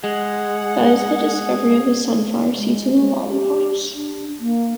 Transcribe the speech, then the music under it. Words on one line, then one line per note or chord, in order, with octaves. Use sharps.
That is the discovery of the sunflower seeds and the lollypops.
G#3 G#4 F#5
G#3
G#3
G4
D4
A#3